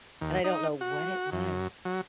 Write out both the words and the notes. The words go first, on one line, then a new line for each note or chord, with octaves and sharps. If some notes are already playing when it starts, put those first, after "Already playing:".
and I don't know what it was
D#2
D#4
F#4
F#2
F#3